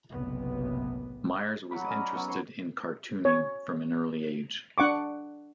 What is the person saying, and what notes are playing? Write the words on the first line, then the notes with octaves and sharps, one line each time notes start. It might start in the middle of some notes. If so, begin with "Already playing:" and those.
Myers was interested in cartooning from an early age.
F#1 B1 A2 C3 B3
F#3 F#5 B5
C#4 D5 D#5
A#5
F#3 B3
C#5 C6
C#5
D4 F#5 C#6 D6